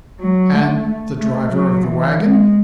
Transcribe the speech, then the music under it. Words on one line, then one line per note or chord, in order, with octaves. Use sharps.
And the driver of the wagon?
F#3
A3
A3
F#3
E3
G#3